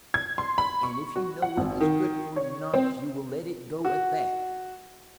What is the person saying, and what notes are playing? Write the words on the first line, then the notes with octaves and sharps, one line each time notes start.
And if you know what is good for you, Knox, you will let it go at that.
G#6
C6
B5
C#6
F#4
F#5
G#1
D#3
C#5
C4
F#4